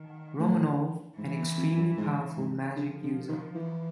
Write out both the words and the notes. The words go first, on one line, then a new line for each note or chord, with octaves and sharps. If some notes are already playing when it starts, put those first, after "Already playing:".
Romanov, an extremely powerful magic user.
Already playing: D#3
A2
G#2 E3
E2
F2
F#2
G#2
G#2
D3 F3
D3
D#3
E3